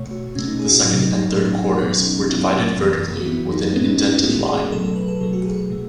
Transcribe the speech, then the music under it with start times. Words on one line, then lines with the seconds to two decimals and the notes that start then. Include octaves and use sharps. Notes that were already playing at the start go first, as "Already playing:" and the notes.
The second and third quarters were divided vertically with an "indented" line.
Already playing: B2 A3 C#5
0.11 F#4
0.35 B2 A3 C#4
0.48 D#4
0.59 G#4
0.68 F#4
0.72 E4
0.84 A2 F#3 A3 D#4
1.17 D#4
1.32 A2 F#3 A3 C#4
1.45 D#4
1.57 C#4
1.69 D#4
1.81 B2 F#3 B3 C#4
2.05 D#4
2.29 B2 F#3 B3 E4
2.78 F#2 E3 B3
3.20 F#4
3.26 F#2 E3 B3 E4
3.51 D#4
3.76 A2 G#3 B3 C#4
3.87 D#4
3.99 E4
4.11 E4
4.24 A2 G#3 B3 F#4
4.47 G#4
4.72 B2 F#3 A3 A4
4.84 A4
4.96 B4
5.08 A4
5.20 B2 F#3 A3 A4
5.33 F#4
5.44 G#4
5.70 B2 A3